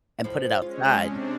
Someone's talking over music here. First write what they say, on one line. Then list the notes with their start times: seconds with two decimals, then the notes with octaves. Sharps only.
and put it outside,
0.24 A2 F3
0.62 G#3 C#4 F4
1.03 C3 C4 D4